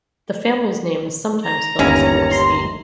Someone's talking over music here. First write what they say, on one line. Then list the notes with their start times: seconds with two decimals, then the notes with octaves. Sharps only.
The family's name is sometimes spelled Zamoyski.
1.44 A#5
1.79 G1 D#2 C#4 E4
2.31 C6